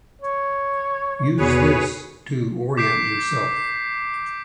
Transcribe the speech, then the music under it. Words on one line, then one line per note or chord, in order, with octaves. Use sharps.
Use this to orient yourself.
C#5
E2 F#4 G#4 B4 C#5
D6 G6 B6 C7 D7